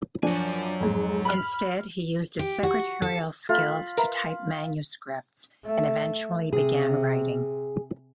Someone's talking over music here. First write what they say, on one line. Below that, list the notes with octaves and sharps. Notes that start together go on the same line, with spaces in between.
Instead he used his secretarial skills to type manuscripts, and eventually began writing.
F3 F#3 D4 G#5
F2 G#2
B5 F6
G4
F#4
A4
A3 F4 B5
A#4 B4 E5
A3
C3 G#4